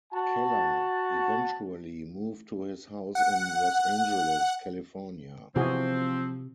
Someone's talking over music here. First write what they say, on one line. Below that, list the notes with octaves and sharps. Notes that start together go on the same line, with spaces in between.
Kellar eventually moved to his house in Los Angeles, California.
F#4 A5
F#5
C3 E3 F3 C4 F#4 G#4